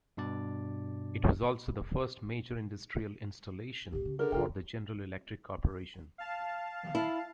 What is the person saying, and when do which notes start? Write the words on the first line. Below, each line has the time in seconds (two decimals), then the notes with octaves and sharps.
It was also the first major industrial installation for the General Electric corporation.
0.17 G2 B2 D4 D5
3.93 D1 B1 G4
4.05 C#3
4.19 D3 G#4 A#4
4.32 C#3 F4 A#4 G5
6.18 F5 A5
6.95 E4